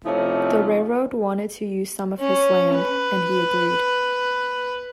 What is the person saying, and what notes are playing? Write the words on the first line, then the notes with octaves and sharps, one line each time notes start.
The railroad wanted to use some of his land, and he agreed.
C3 F3 A3 C#4 D#4 E4
C#4
B4